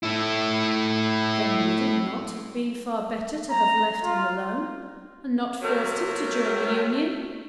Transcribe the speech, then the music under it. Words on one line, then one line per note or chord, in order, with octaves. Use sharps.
'Then would it not have been far better to have left him alone, and not forced him to join the Union?
A3 E4
A#5
F4
C3 F#3 A3 A#4